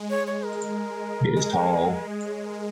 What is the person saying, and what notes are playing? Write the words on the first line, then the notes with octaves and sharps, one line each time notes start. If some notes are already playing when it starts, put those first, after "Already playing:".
It is tall.
Already playing: G#3
C#5
C#5
A#4
G#3
G#4
C#5
A#4